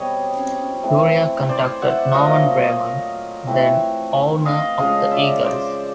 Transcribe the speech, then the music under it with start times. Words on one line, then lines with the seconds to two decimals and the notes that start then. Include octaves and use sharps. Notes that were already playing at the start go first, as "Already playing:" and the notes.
Lurie contacted Norman Braman, then-owner of the Eagles.
Already playing: B2 G3 C4 C#5 D#5
0.83 E3 A3 C4
1.49 C5 D5
1.82 E5 F#5
2.14 A#2 F#3 A3 D#5 F5
3.47 E3 A3 C4
4.45 D#5 F5
4.78 C#3 F3 G#3 D#5 F5
5.11 D5 E5
5.44 C5 D5